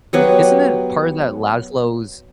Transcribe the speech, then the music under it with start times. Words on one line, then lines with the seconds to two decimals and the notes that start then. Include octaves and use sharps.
Isn't it part of that Laszlo's
0.13 F#3 B3 G4